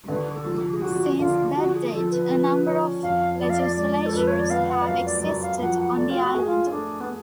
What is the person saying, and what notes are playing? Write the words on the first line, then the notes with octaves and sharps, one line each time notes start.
Since that date a number of legislatures have existed on the island.
D3 B4
A4
F3
G#4
F3 F#4
D3 F4
F3 F#4
G#4
F3 A4
B4
F3
C#4
F2 F5
F2 D5
F5
D5
G#3 D5
A4
F2 B4
C#5
D5
B3 F5
F#5
D5
F#2 F5
D5
F#2 D5
F5
F3 F#5
F#5
A3 D5
F4
F#4
G#4
F4
C#4
A3 D4
B3